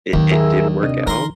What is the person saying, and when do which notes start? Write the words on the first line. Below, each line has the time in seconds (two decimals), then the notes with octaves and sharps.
it it did work out.
0.13 D#2 D#3 F#3
0.32 G#4 A#4 E5
0.83 C3 D4 D#5
1.07 D#3 F3 A#4 C6